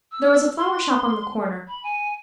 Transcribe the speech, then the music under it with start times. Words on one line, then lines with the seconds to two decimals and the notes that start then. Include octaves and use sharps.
There was a flower shop on the corner.
0.12 E6
0.58 C6
1.68 B5
1.83 G#5